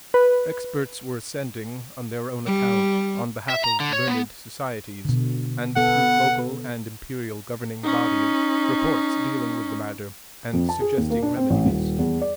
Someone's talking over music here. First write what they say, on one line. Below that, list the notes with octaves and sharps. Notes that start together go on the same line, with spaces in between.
Experts were sending--on their own account, on behalf of learned societies, and through local and imperial governing bodies--reports dealing with the matter, and suggesting remedies.
B4
G3
E5
A#5
D3
C#5
B3
B2 D3
B3 A4 F#5
C#4 D#4
F2
A5
G#4
D#2
A#3
D4
C4
A1
D#1
E2
D5